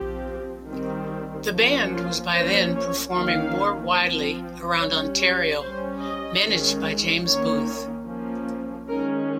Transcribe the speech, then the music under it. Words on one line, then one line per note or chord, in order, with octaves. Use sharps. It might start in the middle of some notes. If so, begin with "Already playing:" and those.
The band was by then performing more widely around Ontario, managed by James Booth.
Already playing: F3 C4 G4
D#3 G3 C4
F3 A#3 C#4
F4
F3 A#3 C#4 C5
C#5
D#3 A#3 C#4 F5
F3 C4
G3 C#4 C#5
C#5
G3 C#4 C5
D#5
D#3 G#3 C#4
D#3 A#3 C#4 C#5
F3 A#3 C#4
D#3 G#3 C#4 A#4